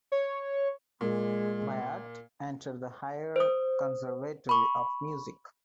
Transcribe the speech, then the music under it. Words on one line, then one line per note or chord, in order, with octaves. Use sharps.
Bayat entered the Higher Conservatory of Music.
C#5
A#2 G#3
C5 D#6
B5 C#6